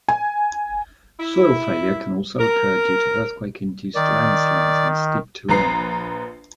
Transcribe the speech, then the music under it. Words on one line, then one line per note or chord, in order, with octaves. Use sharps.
Soil failure can also occur due to earthquake-induced landslides in steep terrain.
G#5
E4
A#4
D#3 D5
A#1 B4 A#5 C7